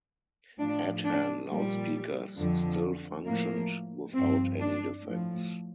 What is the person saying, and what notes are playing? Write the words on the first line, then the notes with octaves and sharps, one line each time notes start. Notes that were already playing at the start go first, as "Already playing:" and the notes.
Adhan loudspeakers still functioned without any defects.
A2 F3 D4
D4
A#2 F3 G3
F2 D3 F3
A2 F3 A#3
G2 F3 C4
D4
A2 F3